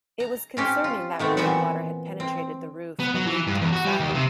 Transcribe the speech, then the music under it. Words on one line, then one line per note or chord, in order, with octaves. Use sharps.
It was concerning that rainwater had penetrated the roof and leaked inside.
A#5
C4 C#4 G4
F4
D#3 A3 B3 C4
A#2 E3 B3 C4 E5 F#5
C4
B3
F#3
E3
G2
E2
F#4
G3
D#2
C3